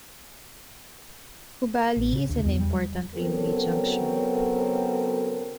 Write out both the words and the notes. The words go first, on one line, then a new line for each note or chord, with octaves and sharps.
Hubballi is an important railway junction.
A1
C#3
D2
E2
G3
C#3 F#3 B3 C4 A4 A#4